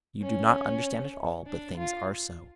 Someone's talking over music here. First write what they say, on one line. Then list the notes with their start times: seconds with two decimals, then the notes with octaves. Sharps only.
You do not understand at all--but things are so.
0.23 C#4
1.46 D4
1.77 F4